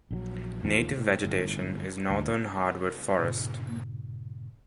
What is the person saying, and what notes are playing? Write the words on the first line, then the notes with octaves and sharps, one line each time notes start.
Native vegetation is northern hardwood forest.
A#1 D3 F#3
A1 D#2 F3
A2
G1 A2
D2
G2 A#2 C#3